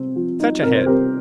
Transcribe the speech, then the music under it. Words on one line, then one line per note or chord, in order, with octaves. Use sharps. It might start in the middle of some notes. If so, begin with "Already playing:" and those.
Such a head!
Already playing: C3 C4
F3
D#4
C3 A#4
C5
C4 G4 A#4